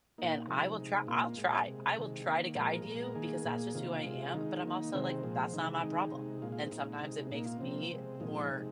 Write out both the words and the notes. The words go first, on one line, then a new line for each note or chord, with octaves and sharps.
And I will try I'll try. I will try to guide you because that's just who I am, but I'm also like, that's not my problem. And sometimes it makes me more
A#2 A#3 D#4
C3 F3 G#3
C3 G#3
A#2 A#3 F4
A#2 G#3
C3 G#3
C3 D#3 G#3
D#3 A#3
A#2 F3 G#3 A#4
A#2 G#3
D#3 A#3 G#4
A#2 A#3
C3 D#3 A#3 F4
C3 G#3
D#3 G#3 D#4
D#3 A#3
C3 D#3 G#3 C4
A#2 F3 G#3
C3 D#3 G#3 D#4
D#3 G#3 D#4
C3 G#3
A#2 G#3 F4
F4
C4
A#2 G#3 D#4
C3 G#3
A#2 A#3 D#4
F4
C3 F3 A#3 C4
C3 G#3
A#2 F3 G#3 D#4
C3 G#3